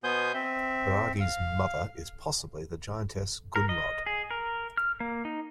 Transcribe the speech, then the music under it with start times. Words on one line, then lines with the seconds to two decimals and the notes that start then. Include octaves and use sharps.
Bragi's mother is possibly the giantess Gunnlod.
0.04 B2 B3 C5 G#5 D#6 G6
0.34 C4 E5
1.20 F5
3.56 A#4
3.69 D#5
4.06 G#4
4.31 A#4
4.77 F6
5.00 A#3
5.25 D#4